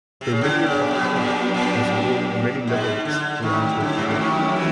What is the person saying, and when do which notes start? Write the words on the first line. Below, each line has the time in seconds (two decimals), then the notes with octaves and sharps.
"Dominion of Canada" has worn many liveries throughout her career.
0.21 C3
0.31 C#3
0.40 D3 F#3 B3 D4 G4
0.66 C#3
0.91 B2
1.16 A#2
1.54 A#2
2.67 G#2
3.05 D3
3.43 D#3 F#3 A3 C#4 E4 G4
3.80 D3
3.95 C3
4.03 C#3
4.11 D3
4.18 D#3
4.56 E3